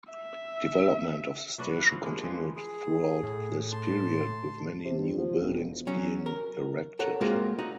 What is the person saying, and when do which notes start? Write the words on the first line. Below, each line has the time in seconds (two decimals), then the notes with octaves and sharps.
Development of the station continued throughout this period, with many new buildings being erected.
0.13 E5
1.58 F#3 D4 F#4 B4
1.76 F5 F#5
1.90 G2 F3 E4
2.02 G#3 A#3
2.24 E3 F3
2.55 G#4
3.23 A2
3.72 A5 C6
4.85 C3
4.98 G2
5.18 F3
5.41 E1
5.87 F#3 C#4
6.26 A#4
6.99 A4 A#4 C#5 F#5
7.21 G#3 A#3 C4 F4 F#4 A#4
7.59 D#4 F#4 D#5